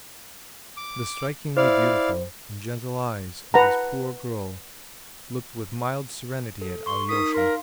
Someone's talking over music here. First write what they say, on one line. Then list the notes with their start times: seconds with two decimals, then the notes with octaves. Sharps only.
The strikingly beautiful and gentle eyes of this poor girl looked with mild serenity at Alyosha.
0.77 D6
1.57 E4 C5 D5 F5
3.54 B4 F#5 A5 A#5
6.62 A4
6.86 C6 C#6
7.09 D#4 A#4 D#6 B6
7.34 A#4 F5 C6